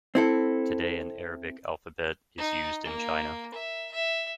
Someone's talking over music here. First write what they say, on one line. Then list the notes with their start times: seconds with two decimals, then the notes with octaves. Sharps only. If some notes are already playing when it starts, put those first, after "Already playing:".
Today an Arabic alphabet is used in China.
0.15 C4 E4 A4
2.38 D#4
2.85 A#3
3.54 E5
3.92 E5